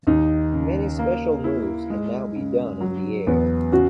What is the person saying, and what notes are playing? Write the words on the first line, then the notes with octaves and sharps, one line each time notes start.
Many special moves can now be done in the air.
D#2 D#4
C#3
A#3
E4
G#3
C#3
F#3
E2 B3
C#3 F#4